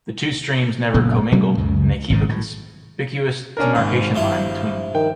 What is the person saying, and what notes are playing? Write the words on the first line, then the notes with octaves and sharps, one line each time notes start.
The two streams never commingle, and they keep a conspicuous demarcation line between them.
F#1 A#2 C#3 B3
B2 F#3 G#3 C#4
C#2 F#2 C#3
G#1 G#2 C#3
A2
C#4 D4 A#4
G#1 G#2
G2 F3 E4
D#3 G5